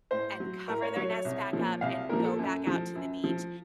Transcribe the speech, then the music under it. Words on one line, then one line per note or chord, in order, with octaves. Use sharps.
and cover their nest back up and go back out to the beach,
A2 C5
F#3
A2 A#4
C#5
F#3 C#5
C#5
C2
A#2 F3
C2 F5
A#2 F3 A#4
A4
F#2
F3
F#2
F3